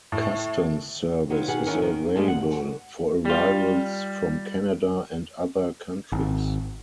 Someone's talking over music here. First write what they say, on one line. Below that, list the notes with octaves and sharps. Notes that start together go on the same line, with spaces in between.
Customs service is available for arrivals from Canada and other countries.
A2
D#3 F#3 B3 F4
B2 D#3 B3 G#4 F#5
D#3 E3 B3 C#4 A#4
D#3
G2 G3 G#3 A#3 A5
F#5
G3 F4
G#1